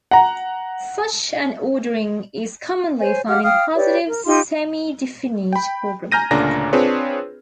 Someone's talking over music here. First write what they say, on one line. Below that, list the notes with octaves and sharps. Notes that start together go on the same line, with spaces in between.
Such an ordering is commonly found in positive semidefinite programming.
F#5 A#5
C5 C#5 G#5
G4 F5 F#5 F6
F5 G5 D#6 F6
G4 B4 C#5 D5
A#4
D#4 F4 G4 C6
G5 B5
G#5 A#5 F6 G6 A#6 D#7
D2 A#2 C#3 D4 A#5 A#6
C4 D4 F4 G#4 B4 C#5